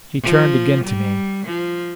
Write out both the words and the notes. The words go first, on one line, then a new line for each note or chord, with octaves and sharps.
He turned again to me.
F3
G3
F3